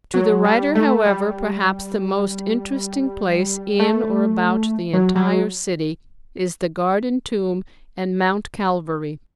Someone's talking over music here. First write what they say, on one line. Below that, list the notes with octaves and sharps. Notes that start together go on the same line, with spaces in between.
To the writer, however, perhaps the most interesting place in or about the entire city is the Garden Tomb and Mount Calvary.
F#3
G3
A3
G3
A3
F#3
F#3